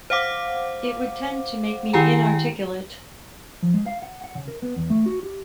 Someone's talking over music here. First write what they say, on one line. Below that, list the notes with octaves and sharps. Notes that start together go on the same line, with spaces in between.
It would tend to make me inarticulate.
C5 F5 F#5 D6
D#3 E4 G4 G5 G#5 A#5
F3
G#3
F5
F#5
F#5
C#3
A#4
B3
E2
A3
F#4
G4